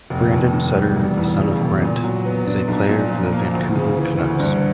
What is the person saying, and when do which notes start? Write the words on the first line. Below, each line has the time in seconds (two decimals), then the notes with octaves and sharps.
Brandon Sutter, son of Brent, is a player for the Vancouver Canucks.
0.10 F1
0.31 D#2
0.53 D#3
0.75 G3
0.96 E1
1.18 E2
1.39 C#3
1.61 E1
1.82 A#2
2.03 F#3
2.25 B3
2.46 D4
2.68 B1
2.89 A#2
3.11 F3
3.33 A#3
3.54 D2
3.75 C#3
3.96 E3
4.18 D2
4.40 G2